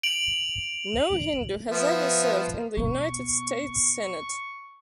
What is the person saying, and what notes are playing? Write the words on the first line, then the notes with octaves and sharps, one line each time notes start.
No Hindu has ever served in the United States Senate.
D7 F7 F#7
F3 B3 E5
B2 B3 C#6